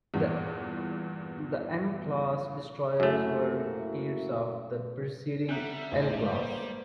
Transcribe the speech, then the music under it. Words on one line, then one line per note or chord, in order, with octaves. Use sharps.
The M-class destroyers were repeats of the preceding L class.
E2 G2 A#2 E3
F#2 A3 A#3 E4 F#4
G3 C4 E5 F#5 A#5 F#6 G6
E1 A1 D#4 C5 G#5
G#3 A#3 B4 C5